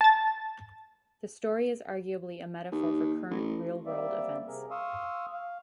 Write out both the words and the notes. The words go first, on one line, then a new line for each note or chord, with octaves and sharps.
The story is arguably a metaphor for current real-world events.
A5 A6
D#2
A1
G3 A#3 C4 D5 E5
C3 C4 G#4 A#4
F5 C6 C#6 D#6 E6
F5